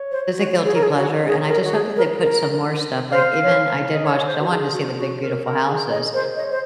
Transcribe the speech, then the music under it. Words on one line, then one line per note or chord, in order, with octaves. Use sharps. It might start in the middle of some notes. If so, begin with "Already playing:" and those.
is a guilty pleasure, and I just hope that they put some more stuff, like, even I did watch, 'cause I wanted to see the big, beautiful houses,
Already playing: C#5
C5
F#4
G#4
A#4
G#4
F#4
G#4
G#4
A#4
F#4
G#4
A#4
A#4
C5 F5
C#5
D#5
C#5
C5
F#4
G#4
F#4
F#4
A#4
A#4
G#4
G#4 D#5
A#4 C5
C5
C#5 D#5
C5